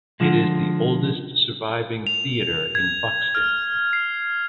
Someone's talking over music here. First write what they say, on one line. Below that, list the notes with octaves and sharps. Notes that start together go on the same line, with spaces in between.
It is the oldest surviving theatre in Buxton.
D3 F3 G#3
F7
G#6
F6
C7